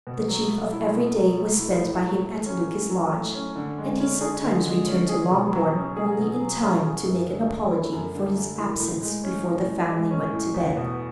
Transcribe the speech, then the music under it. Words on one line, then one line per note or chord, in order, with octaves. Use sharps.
The chief of every day was spent by him at Lucas Lodge, and he sometimes returned to Longbourn only in time to make an apology for his absence before the family went to bed.
B2
F#3
A3
E4
B2
F#3
A3
E4
A2
F#3
A3
C#4
A2
F#3
A3
C#4
D3
G#3
C#4
G#4
D3
G#3
C#4
G#4
B2
F#3
C#4
G#4
B2
F#3
C#4
G#4
F#2
D3
A3
E4
F#2
D3
A3
E4
A2
G#3
C#4
A2
A2
G#3
C#4
A2
E2
B2